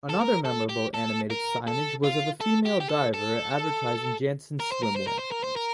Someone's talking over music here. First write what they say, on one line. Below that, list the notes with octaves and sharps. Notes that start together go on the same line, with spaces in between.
Another memorable animated signage was of a female diver advertising Jantzen swimwear.
A4
A#4
A4
G4
A4
A#4
A4
F4
A4
G4
G4
A4
A4
A#4
C5
A#4
C5
A#4
C5
A#4
C5
A#4